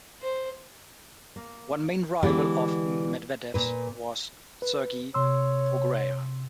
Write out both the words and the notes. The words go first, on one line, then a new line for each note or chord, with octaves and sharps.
One main rival of Medvedev's was Sergi Bruguera.
C5
A#3
D3 E3 G#3 B3 G4
A#2 B4
B4
C3 C#5 C6 E6